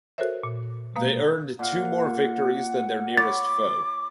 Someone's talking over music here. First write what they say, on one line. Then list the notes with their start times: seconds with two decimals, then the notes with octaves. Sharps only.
They earned two more victories than their nearest foe.
0.18 F#4 A4 A#4 C5 C#5 E5
0.43 A#2
0.96 B2 G#3 A#3 F5 D#6
1.59 A#2 F5 F#5
3.17 C#5 B5 D6 A6